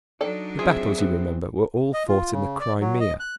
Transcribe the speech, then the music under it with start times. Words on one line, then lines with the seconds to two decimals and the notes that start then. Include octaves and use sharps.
The battles, you remember, were all fought in the Crimea.
0.21 F#3 D4 D#4 A4 D5
0.59 C4 F4 G#4 E5
0.98 B3 C4
1.94 D#5
2.08 F4
2.32 C#3
2.60 D5
2.81 F#3
3.00 D#5
3.20 F#6